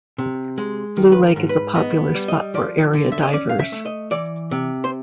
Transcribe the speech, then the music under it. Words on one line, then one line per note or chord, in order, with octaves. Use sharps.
Blue Lake is a popular spot for area divers.
C3
G#3
D#3
B4
A#4
G#2
B4
B3 D#5
G3
D#5
F3 D5
D3
E5
D#5
C#4 D5
F5
E5
A3
D#5
E3 D5
C3
C5